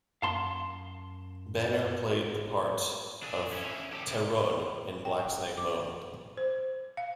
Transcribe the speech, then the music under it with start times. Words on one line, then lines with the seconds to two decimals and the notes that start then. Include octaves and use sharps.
Banner played the part of Tehronne in "Black Snake Moan".
0.22 F#2 F5 A5 C6
3.23 D4 G#4
3.52 C#4 E4
3.92 G4 A4
4.07 C2 C3
5.05 G5
5.58 D6
6.37 C5
6.97 F5